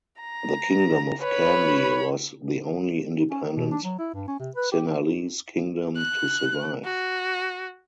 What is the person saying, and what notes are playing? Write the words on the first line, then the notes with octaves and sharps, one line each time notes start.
The Kingdom of Kandy was the only independent Sinhalese kingdom to survive.
A#5
B4 C#5 B5
C#4
D#3
B2
D4
F#3
E4
G2
C#4
C3
B4
G4
F#6
F#4